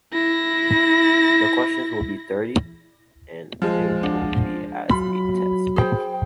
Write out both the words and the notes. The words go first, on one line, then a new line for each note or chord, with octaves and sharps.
The questions will be thirty and they will be as a test.
E4 A#6
F3 G#3
D4 F#5
F#3 F4 B5
G#4 C5 G5